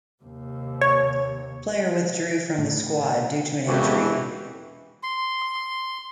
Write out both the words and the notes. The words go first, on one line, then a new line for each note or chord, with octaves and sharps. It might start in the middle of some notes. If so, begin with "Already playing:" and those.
Player withdrew from the squad due to an injury.
D#2 C3
C#5
A2
E1 F2 D#3 E3 A3 F#4 G4
C6